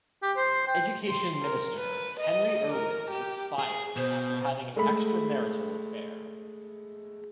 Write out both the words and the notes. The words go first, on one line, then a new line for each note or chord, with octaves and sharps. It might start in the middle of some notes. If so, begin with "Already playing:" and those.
Education minister Henry Irwin was fired after having an extramarital affair.
G4
C5
G5
C6
A#4
B4
D#5
A#4
G4
G#4
B2 C5
G#3 A3 B5